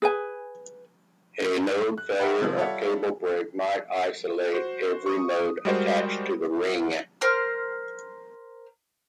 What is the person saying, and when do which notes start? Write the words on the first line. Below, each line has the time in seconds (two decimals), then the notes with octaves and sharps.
A node failure or cable break might isolate every node attached to the ring.
0.02 G#4 B4 G#5
1.98 F#6
2.19 A#4 E5 F#5 G5 B5
2.41 C3 D#3 F3 G#3
2.57 G3 F4 A4 C#5 E5 F#5
4.53 F#4 C5
5.06 C#6 D#6
5.65 G3 G#3 F#4 A#4 C5
7.21 A#4 C5 F6